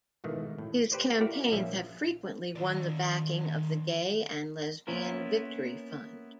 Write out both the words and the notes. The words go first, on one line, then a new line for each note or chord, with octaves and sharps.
His campaigns have frequently won the backing of the Gay and Lesbian Victory Fund.
G#2 B2 D#3 E3 A3
A2
G4 B4 C5 D5
E4 F#4 G4 A#4 D5 F5
A#1 F3 A#3 C#4 E5
D#3 D5
A#3 B3 C#4 E4 F4 A#4